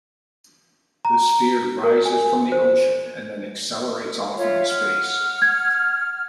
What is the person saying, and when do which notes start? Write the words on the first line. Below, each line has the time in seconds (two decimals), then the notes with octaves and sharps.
The sphere rises from the ocean and then accelerates off into space.
1.05 A#5
1.84 A#4
2.05 G#5
2.52 C5
4.37 F4 C#5 E5
4.69 F#5 F6
5.42 G#6